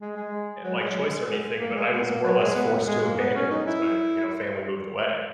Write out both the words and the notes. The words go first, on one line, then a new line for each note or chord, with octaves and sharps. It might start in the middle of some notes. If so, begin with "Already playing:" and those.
like, cha choice or anything, but I was more or less forced abandon him 'cause my, you know, family moved away.
G#3
G#3
F#3
G#3
F#3
G#3
G#3
A#3
G#3
B3
A#3
F#3
G#3
B3
G#3
A#3
B3
C#4
D#4
E4